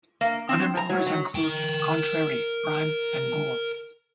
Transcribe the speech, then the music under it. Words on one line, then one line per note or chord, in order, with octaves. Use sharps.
Other members include Contrary, Prime and Ghoul.
A#3
C4
A#5
F#3
F#3
A#4 G5